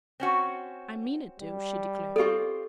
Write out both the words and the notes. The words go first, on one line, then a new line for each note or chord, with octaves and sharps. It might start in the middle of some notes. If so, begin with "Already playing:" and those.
"I mean it to," she declared.
C4 C#4 F#4
G3
C4 F4 G4 A4 D5